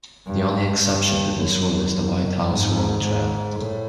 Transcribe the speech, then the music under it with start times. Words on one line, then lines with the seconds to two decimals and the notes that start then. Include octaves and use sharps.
The only exception to this rule is the White House Ruin Trail.
0.26 G2
0.81 G2
1.36 F#2
2.47 G#2
3.03 G#2
3.58 A2